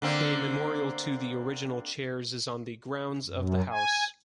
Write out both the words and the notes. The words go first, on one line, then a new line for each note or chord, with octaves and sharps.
A memorial to the original chairs is on the grounds of the house.
D3 A#3 C4
F#2
G#5